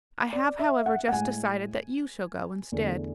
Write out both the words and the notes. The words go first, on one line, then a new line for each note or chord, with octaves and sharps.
I have, however, just decided that you shall go instead.
D5
E5
F#5
F#5
A2 G#3 G#5
E2 D3 A3